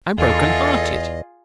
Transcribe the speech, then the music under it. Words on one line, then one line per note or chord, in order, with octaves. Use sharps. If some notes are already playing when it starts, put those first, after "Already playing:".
I am broken-hearted.
E2 F4 G#4 A4 D#5